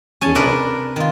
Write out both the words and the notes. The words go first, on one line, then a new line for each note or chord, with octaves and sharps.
you know,
C#4 G#5 A5
C3 D4 A#4 B4
D#3 F4